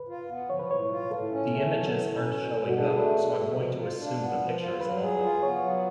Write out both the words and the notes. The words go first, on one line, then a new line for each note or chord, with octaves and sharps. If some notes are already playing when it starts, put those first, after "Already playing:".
The images are n't showing up, so I 'm going to assume the picture is lovely.
Already playing: B4
F4
B3
F3 C#5
B4
A2 C#5
F4
A2 A4
C#4
A3
F#3 A4
A2
C#4
B2
B2
F#4
D4 G#4
A4
A3 B4
B2
B2
F3
F4
D4
B3
F3
F4
F#3 B4
G#4
F4
B3 C#5
F#3